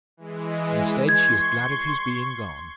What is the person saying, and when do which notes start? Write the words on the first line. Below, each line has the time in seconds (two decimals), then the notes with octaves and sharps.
Instead, she is glad of his being gone.
0.17 E3 G#3
1.09 C6 C#6 G#6